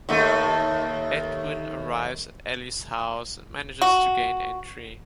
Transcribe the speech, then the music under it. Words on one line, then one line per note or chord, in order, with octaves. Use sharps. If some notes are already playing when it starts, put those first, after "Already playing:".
Edwin arrives at Allie's house and manages to gain entry.
D#2 A3
F#4